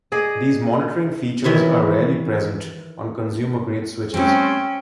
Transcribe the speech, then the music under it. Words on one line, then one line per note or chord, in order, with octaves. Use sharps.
These monitoring features are rarely present on consumer-grade switches.
G#4 D5 D#5
D#3 E3 E4 C#5
G3 A3 C4 C#4 G5